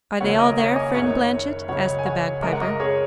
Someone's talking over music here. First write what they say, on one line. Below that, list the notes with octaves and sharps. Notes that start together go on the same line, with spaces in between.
'Are they all there, friend Blanchet?' asked the bagpiper.
D#2 C#3 F#3 C#5 F#5
A#4 D#5
C#5 F#5
D#5 G#5
F#1 F#2 D#3 C#5 F#5
C#2 C#3 F#3 C#5 F#5
G#5
C#5 F#5
F#2 C#3 G#3 A#4 D#5
F#5
A#4 D#5
G#4 C#5